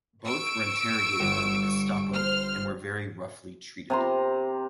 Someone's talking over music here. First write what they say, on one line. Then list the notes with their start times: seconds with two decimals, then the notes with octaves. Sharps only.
Both were interrogated by the Gestapo and were very roughly treated.
0.24 C#6 E6 D7
1.20 G1
2.10 C5 F6
3.90 C3 A#5 C6